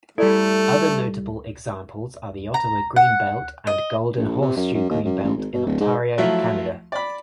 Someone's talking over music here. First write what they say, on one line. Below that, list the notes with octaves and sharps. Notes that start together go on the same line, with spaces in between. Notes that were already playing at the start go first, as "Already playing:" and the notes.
Other notable examples are the Ottawa Greenbelt and Golden Horseshoe Greenbelt in Ontario, Canada.
G3 A3 E4 A4 D5 A#5
A#5
F#5
D#5
A#1
C3
F#2
F#2
D#2
F#2
A1
G#1
B2
D1
G#2
F3 F#3 A3 E4 F4
D5 B5